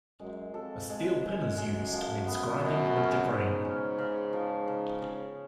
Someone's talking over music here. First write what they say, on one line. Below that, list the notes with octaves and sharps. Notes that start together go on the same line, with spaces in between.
A steel pin is used when scribing with the grain.
F#2 G#3
F2 A4
G#3
F#2 G#3
G#3
F3
B3
F#2 B2
C#4
G#2 C#3
C#4
C#3
F3
C#3
C#3